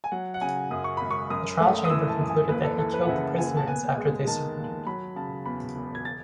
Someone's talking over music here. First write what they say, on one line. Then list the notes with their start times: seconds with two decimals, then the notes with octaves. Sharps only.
The trial chamber concluded that he killed the prisoners after they surrendered.
0.04 G#5
0.11 F#3 F#5
0.34 F#5
0.41 C#3 G#5
0.71 F#2 D#6
0.84 C#6
0.97 G#1 B5
1.11 C#6
1.30 F#2 D#6
1.60 A3
1.85 D#6
1.89 E3 E6
2.09 A5
2.19 F#2
2.29 G#5
2.49 D#2 B4
2.64 A4
2.78 E3 A4
2.93 B4
3.03 F#5
3.08 C#3 E5
3.38 D#2 G#5
3.57 A5
3.67 B3 G#5
3.97 G#3
4.27 D#3 A5
4.57 D#2
4.86 F#3 B5
5.16 C#3 A5
5.45 E2 B5
5.76 E1
5.95 G#6
6.05 A6